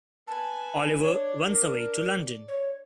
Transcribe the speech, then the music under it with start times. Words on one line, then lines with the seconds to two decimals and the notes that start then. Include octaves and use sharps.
Oliver runs away to London.
0.28 B4 G#5 A5
1.03 D4 C#5 D5
1.47 A#4
1.99 D5
2.48 C#5